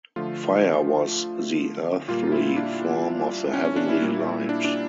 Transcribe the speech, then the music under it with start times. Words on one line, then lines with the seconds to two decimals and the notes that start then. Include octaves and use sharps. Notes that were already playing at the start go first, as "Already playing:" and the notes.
Fire was the earthly form of the heavenly light.
0.16 D3 F3 A3 F4
2.08 A#2 G3 A#3 F4
2.32 E4
2.57 D4
3.53 C#4
3.65 C#4
3.76 D4
3.89 E4
4.02 A#2 G3 A#3
4.49 D4
4.65 D4